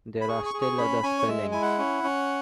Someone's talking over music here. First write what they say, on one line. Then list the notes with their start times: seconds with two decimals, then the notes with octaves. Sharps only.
There are still other spellings.
0.21 B5
0.28 G#4 C#6
0.46 C#6
0.54 G#4
0.62 C#6
0.78 C#4 B5
1.03 C#4 G#5
1.19 C#5
1.28 G#3 E5
1.52 E4 G#5
1.62 F#5
1.78 C#4
2.04 C#4